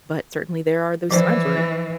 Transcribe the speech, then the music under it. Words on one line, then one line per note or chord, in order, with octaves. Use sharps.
but certainly there are those times where
E3 F3 C5 D5